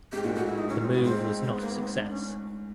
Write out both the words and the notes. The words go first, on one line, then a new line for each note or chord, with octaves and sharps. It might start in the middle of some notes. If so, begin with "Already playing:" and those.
The move was not a success.
G#2 G4
A#2 F#4
A2 F#4
E4
D#4
C#4
C4
B3
G#2 C4
C4
B3
A#3
B3
C4
D4
C#4